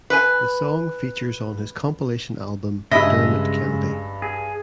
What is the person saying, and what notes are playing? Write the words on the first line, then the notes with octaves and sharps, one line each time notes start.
The song features on his compilation album "Dermot Kennedy".
B4 G#5
G2 C#3 G#3 D#5 E5 B5 A#6
G#4